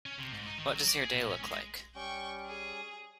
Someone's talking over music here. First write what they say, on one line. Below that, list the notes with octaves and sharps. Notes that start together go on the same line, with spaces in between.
What does your day look like?
C#4
C3
G#2
D#4
D#3
F#3
D5
G#4
A#2
C#4
G#3
G3 C#4 G5 C#6
G#4